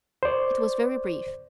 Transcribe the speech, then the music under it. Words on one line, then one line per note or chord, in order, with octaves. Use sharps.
It was very brief.
C5 D5